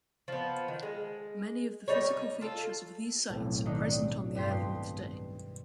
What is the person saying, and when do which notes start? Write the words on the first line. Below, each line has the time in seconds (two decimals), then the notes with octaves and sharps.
Many of the physical features of these sites are present on the island today.
0.28 F3 B3
0.68 D#3
0.83 G#3
1.88 G3 D#4 C#5
2.17 D#4
2.41 F4 A4
3.30 B1 F2 A2
3.65 D#3 D4 D#4
4.35 G2 G4 C6
4.50 B2